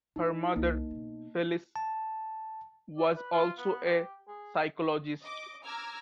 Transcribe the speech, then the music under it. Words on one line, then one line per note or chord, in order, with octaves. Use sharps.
Her mother, Felice, was also a psychologist.
A3 D#4 E4
C2 F2 A#3 D#4
B2 B3
A5
D5
B4
F4
B3
G4
G#4
D#5 D6
A#5 D6 E6 F6 G#6